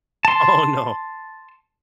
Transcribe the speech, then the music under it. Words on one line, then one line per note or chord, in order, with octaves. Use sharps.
Oh, no.
A5 C6